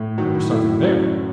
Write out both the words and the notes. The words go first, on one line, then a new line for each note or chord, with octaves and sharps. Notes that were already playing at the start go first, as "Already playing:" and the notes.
There was something there.
Already playing: A2
D#3 F#3 F#4
E4
A3 E4
E4
F#2 F#3 F#4